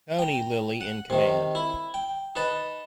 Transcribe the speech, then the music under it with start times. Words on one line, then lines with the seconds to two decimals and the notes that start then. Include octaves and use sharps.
"Tony" Lilly in command.
0.19 G5 A#5
0.81 F#5
1.10 C3 D#3
1.55 E4
1.94 G5
2.36 D#4 B4 A5